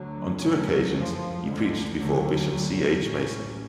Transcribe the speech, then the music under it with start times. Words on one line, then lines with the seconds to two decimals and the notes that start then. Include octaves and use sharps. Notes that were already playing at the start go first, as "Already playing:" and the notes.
On two occasions, he preached before Bishop C. H. Mason.
Already playing: D2 D3 F#3
0.40 D2 C#3 F#3 A3 C#4
0.92 F#1 F2 F3
1.45 D2 D3 G#3
1.98 D2 D3 F#3
2.51 D2 D3 F#3
3.03 A1 A2 F#3 C#4